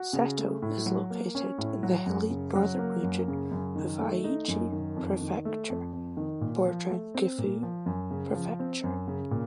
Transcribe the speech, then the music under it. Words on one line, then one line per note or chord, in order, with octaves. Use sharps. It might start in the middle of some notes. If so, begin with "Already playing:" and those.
Seto is located in the hilly northern region of Aichi Prefecture, bordering Gifu Prefecture.
Already playing: F#4
C#3
A3
A2
F#3
A#3
C#4
A2
F#3
F#2
C#3
F#3
A#3
F#2
C#3
F#2
D#3
A3
D#4
F#2
D#3
F2
D#3
A3
F2
F2
D#3
A#2
F3
A3
C4
A#2
F3
F#2
C#3
F3
C4
F#2
C#3
A#2